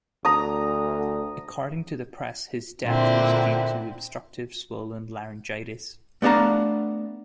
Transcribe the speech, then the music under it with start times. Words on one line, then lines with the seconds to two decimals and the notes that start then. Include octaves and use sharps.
According to the press his death was due to obstructive swollen laryngitis.
0.25 D2 A#5 D#6
2.85 A#2 D3 C4 E4
6.22 A3 B3 D4 F5 A#5